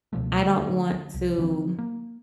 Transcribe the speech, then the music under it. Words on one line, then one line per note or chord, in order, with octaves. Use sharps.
I don't want to
C#2 B2 F3 A3
D3 A3
C2
D3 F3 C4
A#3